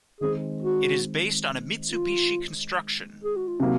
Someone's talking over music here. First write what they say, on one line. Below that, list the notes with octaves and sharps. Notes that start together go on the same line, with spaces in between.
It is based on a Mitsubishi construction.
D#3 G#3 C4 G#4
F#4
F4
G#4
F#4
F4
C3 F#3 A#3 D#4